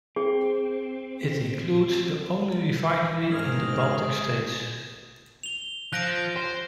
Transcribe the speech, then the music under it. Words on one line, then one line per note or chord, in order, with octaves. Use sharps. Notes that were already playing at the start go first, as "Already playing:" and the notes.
It includes the only refinery in the Baltic States.
C4 G#4
G#2 D#3 C4 G#4 F6
F7 G7
F3 F#6 A#6 D7
C5